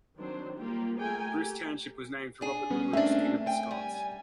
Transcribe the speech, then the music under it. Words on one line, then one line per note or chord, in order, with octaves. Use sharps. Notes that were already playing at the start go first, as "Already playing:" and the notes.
Bruce Township was named for Robert the Bruce, King of the Scots.
D#3 F#3 C4 D4 C5
G3 A#3 F4 G4
A3 G#4 A#4 G5 G#5
G4
D4 G#4
G3 B3 C#4
A3 A#3 C4 D4 E5
G5 G#5
G3